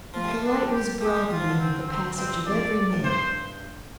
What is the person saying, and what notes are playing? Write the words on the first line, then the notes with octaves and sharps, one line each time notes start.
But the light was broadening with the passage of every minute.
F3 F4
G3
A3
D4
G4
A3 G4
G3
G3 F4
F3
D3
C4
C4
G2 C4
F2 D5
A2
G2 C5